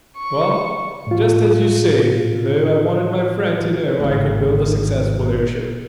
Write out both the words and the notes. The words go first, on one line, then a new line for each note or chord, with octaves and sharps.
"Well, just as you say, though I wanted my friend to know I could build a successful airship."
C#6
A2 F4
G#1 A2